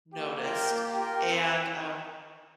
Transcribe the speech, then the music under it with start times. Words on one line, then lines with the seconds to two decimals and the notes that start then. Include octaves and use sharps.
noticed, and, um,
0.14 A#3 G4
0.42 F4 A#4 G5
0.70 A#3
0.97 F4 A#4 G5
1.26 C4